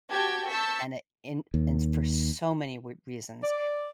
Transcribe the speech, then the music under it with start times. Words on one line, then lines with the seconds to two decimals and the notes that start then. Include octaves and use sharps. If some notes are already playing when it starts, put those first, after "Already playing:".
and it in in for so many good reasons,
0.11 F#4 G4 G5 A5 G#6
0.49 A5 C#6 E6 G6 B6
1.54 D#2
3.43 D5